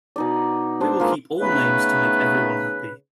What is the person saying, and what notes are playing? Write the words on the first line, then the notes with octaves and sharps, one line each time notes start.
We will keep all names to make everyone happy.
B2 D#4 D5
D4 C5
G#3 A#3 F4
C#3 A3 B3 D#4 B4